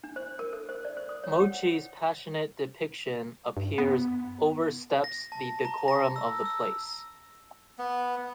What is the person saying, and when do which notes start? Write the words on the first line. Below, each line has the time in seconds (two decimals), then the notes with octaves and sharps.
Mochi's passionate depiction appears oversteps the decorum of the place.
0.04 D4
0.16 C5
0.39 A#4
0.53 A4
0.69 C5
0.85 D5
0.97 C5
1.09 D#6
1.24 C#5
1.40 F#5
3.57 G2
3.78 B3
5.04 A#6
5.32 A5
5.65 A#5
5.88 A#6
6.16 E6
6.45 E6
7.79 B3